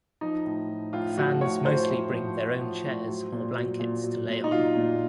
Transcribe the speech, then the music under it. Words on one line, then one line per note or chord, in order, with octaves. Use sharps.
Fans mostly bring their own chairs or blankets to lay on.
F3 D#4
A2
F3
A2 F4
F3 F#4
A2 C#5
F3 C5
A2
F3
A2
F3
A2
F#3
A#2
F#3
A#2
F#3
A#2
D#4
F#3 F4
A#2